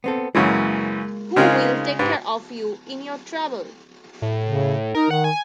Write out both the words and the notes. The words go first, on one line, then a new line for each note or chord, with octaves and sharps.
Who will take care of you in your trouble?
B3 C4 A4
F#2 C#3 E3 G#3 A#3
C#3 G#3 C4 D#4 F4 A#4
G#2 G4 B4
A2
C#3
D#4 A#4
D#3 F#5
G#5